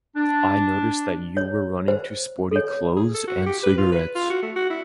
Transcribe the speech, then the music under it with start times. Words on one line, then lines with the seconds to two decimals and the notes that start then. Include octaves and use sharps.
I noticed that you were running to sporty clothes and cigarettes.
0.15 D4
1.37 C#5
1.88 C5
2.51 A4 C#5
2.97 G#4
3.14 A4
3.27 F#4
3.46 G4
3.63 B4
3.78 F4
3.92 B4
4.15 F4
4.30 F#4
4.42 A3
4.56 F#4
4.70 E4